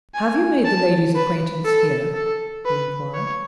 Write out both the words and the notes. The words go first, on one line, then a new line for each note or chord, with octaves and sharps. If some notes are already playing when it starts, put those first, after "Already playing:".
"Have you made the lady's acquaintance here?" he inquired.
G#5
A5
B4
A4
A4
B4
C#5